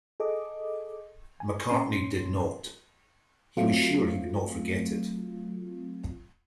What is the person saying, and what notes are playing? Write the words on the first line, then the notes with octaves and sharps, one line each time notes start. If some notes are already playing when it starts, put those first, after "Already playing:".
McCartney did not; he was sure he would not forget it.
G#4 A4 D#5 D6
G#5
A#2 C#4 C6
F#3 A3 C4 F4